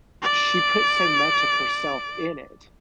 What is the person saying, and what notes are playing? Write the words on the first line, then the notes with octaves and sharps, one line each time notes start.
She put so much of herself in it,
D5 D7